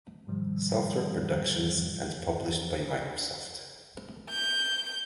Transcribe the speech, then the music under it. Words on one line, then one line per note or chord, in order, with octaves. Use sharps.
Software Productions and published by Microsoft.
G#2 C3 D#3 F3 G3
G6